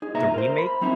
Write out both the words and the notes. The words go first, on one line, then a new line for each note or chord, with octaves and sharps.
the remake
D#4 G#4
C2 A#2 B4 E5 A#5
A#4 C5
B5
F#3 C4 D#4 E4